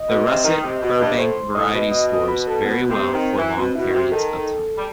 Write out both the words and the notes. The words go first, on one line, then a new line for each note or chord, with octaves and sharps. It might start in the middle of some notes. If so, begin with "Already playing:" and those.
The Russet Burbank variety stores very well for long periods of time.
Already playing: D#5
B2
C3
D#3
C3
B2
G2
A2 C5
A2 D#5
B2
D#5
D#5
B4
A4
B2 B3
C3 B3
D#3 C4
E3
B2 C4
B2 E4
D#3
C3 F#4
D#3 A4
G3